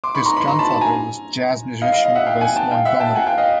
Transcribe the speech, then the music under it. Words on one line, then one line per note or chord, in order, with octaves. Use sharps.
His grandfather was jazz musician Wes Montgomery.
C6 D6
B5 C#6
A#5 C6
B5 C#6
A#5 C6
A5 B5
A5 B5
G#5 A#5
D#5 F5
D#5 F5
D#5 F5
E5 F#5
F5 G5
F#5 G#5
G5 A5
F5 G5
E5 F#5
G5 A5
F#5 G#5
F5 G5
D#5 F5